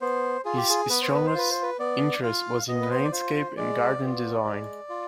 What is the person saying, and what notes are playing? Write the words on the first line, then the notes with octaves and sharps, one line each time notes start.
His strongest interest was in landscape and garden design.
B3 C5
F4 G#4
G4
G#4
B3 B4
C5
B4
C5
F4 B4
C5
B4
B3 D5
F4 F5
B3 D#5
B4
C5
D5
F4 C5
C5
G#3 D5
B3 F4
G#3
F4